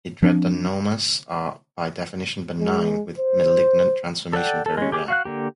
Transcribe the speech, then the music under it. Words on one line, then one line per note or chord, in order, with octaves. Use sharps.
Hidradenomas are by definition benign, with malignant transformation very rare.
F3 C4 D4
G#3
C5
A4 D5 F#5 G5
A4
G#3 C#4
G4 G#4 D6
F#4 F5 F#6
D3 A#3 G4